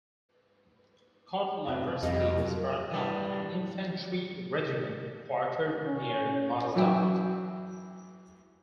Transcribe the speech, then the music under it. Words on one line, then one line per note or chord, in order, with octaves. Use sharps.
Kotlyarevsky was brought up in an infantry regiment quartered near Mozdok.
F1 C2 B2
F2 C3 G3 D#5 F5
F#3 A#4
E3 G3 D4
C#4
F#2 E3 F#3 E4 G5